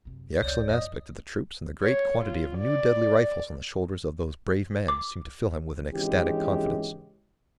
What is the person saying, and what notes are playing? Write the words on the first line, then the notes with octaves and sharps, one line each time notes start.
The excellent aspect of the troops and the great quantity of new deadly rifles on the shoulders of those brave men seemed to fill him with an ecstatic confidence.
F#2 C3
F1 C#2 C#5 D5 G6
F2 D#5 D#6
C#5
F4
D5
D6
G#1 C#3 E3 G#3 C#4 G4